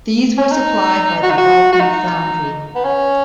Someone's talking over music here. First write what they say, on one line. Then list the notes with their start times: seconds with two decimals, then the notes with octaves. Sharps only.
These were supplied by the Vulcan Foundry.
0.38 C#4
0.51 D#4
1.23 F#4
1.30 D#4
1.38 F#4
1.72 F#4
1.80 D#4
2.75 B3
2.84 C#4